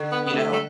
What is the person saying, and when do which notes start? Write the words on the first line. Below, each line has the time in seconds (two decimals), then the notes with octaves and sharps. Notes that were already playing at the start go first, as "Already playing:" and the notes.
you know?
Already playing: D3
0.12 B3
0.26 B3
0.34 A3
0.53 A3